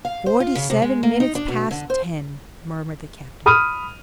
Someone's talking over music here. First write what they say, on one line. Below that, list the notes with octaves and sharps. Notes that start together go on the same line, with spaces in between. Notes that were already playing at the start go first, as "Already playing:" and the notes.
"Forty-seven minutes past ten!" murmured the captain.
F5
C5
F4
C#3
C3
G#3
A#3
D#4
D4
B2
D3
C5
B5 D#6 F6 D#7